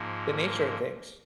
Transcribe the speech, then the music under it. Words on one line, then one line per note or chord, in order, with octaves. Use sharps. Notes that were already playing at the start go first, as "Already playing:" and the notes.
the nature of things.
Already playing: G#2 F3 A#3